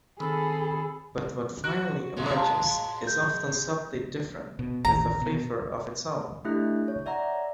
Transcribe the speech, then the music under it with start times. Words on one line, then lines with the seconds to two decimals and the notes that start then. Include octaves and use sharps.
But what finally emerges is often subtly different, with a flavour of its own.
0.20 D#3 C4 G#4 A4 B5
1.64 F#4 F#6 D7
2.17 A2 G#3
2.36 F5 A5
3.07 G6
4.59 B2
4.85 A1 D#2 A#5
5.21 B2
6.45 A3 D4 E4 G4 E5 F#6
6.88 C#5
7.06 D5 E5 F#5 A#5